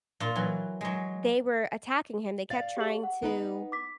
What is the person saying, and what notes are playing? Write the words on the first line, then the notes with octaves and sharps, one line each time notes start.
they were attacking him, they kept trying to
A#2 F4
E3 F#3
F#3 G#3
D5 F5 A6
G4 G#4 F#7
F#5
B3 D#4 B4
D6 B6